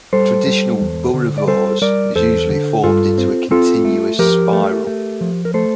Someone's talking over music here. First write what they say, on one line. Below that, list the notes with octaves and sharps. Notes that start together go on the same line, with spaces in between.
Traditional boerewors is usually formed into a continuous spiral.
G3 A4 C5
G3
E2
D3
D5
G3 A4 C5
G3 A#4 D5
E2 A4 C5
D3
G2 F4 A4
C4
C4 F4 A4
A3
F3 G4 A#4
A3
A3
F3
A#4
A3 A4 C5